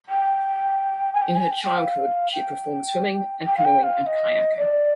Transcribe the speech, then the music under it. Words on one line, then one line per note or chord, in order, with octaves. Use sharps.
In her childhood she performed swimming and canoeing and kayaking.
G5
G#5
G5
G#5
G5
G5
F5
G5
G5
F5
G5
F5
F5
D#5
D5